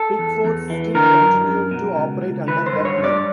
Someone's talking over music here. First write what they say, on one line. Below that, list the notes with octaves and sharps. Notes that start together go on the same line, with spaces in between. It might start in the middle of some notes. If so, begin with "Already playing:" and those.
Pickfords still continued to operate under that name.
Already playing: A4
E2
E2
E3
D3 A#4
F#2
F#2
B2
C#2
C#2
D#3 B4
C5
G2
C#5
G2
D5